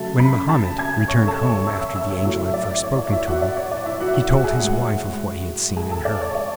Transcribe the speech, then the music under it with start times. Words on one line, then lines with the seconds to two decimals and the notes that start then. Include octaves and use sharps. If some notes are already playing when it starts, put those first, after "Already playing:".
When Mohammed returned home after the angel had first spoken to him, he told his wife of what he had seen and heard.
Already playing: C#3 F#3 A3 A5 A6
0.19 B5 B6
0.49 A5 A6
0.78 G#5 G#6
1.08 C#5 C#6
1.27 A4 A5
1.46 C#5 C#6
1.67 E5 E6
1.81 E5 E6
1.96 E5 E6
2.10 C#5 C#6
2.24 A2 F#3 A3 E4 E5
2.54 D5
2.83 C#5
2.99 D5
3.12 E4 E5
3.28 F#4 F#5
3.42 D5
3.57 C#5
3.72 D5
3.86 E4 E5
4.00 F#4 F#5
4.15 E4 E5
4.31 F#4 F#5
4.44 G#4 G#5
4.59 A2 G#3 F#4 F#5
5.76 G#4 G#5
5.91 A4 A5
6.05 D5
6.21 C#5
6.35 D5